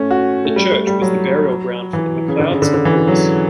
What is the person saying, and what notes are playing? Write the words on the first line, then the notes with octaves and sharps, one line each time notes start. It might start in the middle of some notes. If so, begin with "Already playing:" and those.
The church was the burial ground of the MacLeods of Lewis.
Already playing: A3 C#4
F#4
A3
G3
A3
G3
F#3
E3
C#3
D3
C#3
D3
D3
E3
F#3